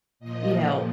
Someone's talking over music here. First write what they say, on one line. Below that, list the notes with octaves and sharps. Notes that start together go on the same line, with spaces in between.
you know,
A#2 F3 D#5